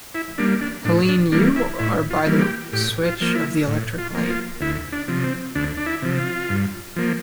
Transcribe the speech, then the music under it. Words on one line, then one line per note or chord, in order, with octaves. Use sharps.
Helene, you are by the switch of the electric light.
E4
G3 A#3 D4
D4
A2 D4
D4
E3 G3 A#3 D4
E4
A2 E4
F4
E3 G3 A#3
G4
A2 G4
F4
F3 A#3
E4
A2
F4
F3 A#3
F4
D2 E4
D4
C3 F3
C4
D2 D4
D4
E4
C3 F3
F4
G2
F3 A#3